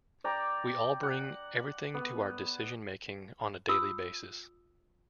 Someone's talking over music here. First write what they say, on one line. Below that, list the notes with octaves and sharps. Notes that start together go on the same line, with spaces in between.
We all bring everything to our decision-making on a daily basis.
D5 G5 A#5 D6
F#5
B3
F4 D#6 E6